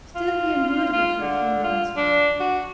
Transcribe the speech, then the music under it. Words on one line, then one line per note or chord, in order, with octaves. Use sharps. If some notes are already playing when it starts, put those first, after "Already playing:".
Still he endured her for a few moments longer.
F4
F4
D3
F4
D4
F#4